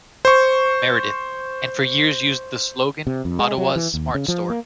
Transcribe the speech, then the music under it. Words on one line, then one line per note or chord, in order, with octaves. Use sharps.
Meredith, and for years used the slogan "Ottawa's Smart Store".
C5 C#6
C3
F2
G#3
F#3
E3
D#2
C#3
F3
A#3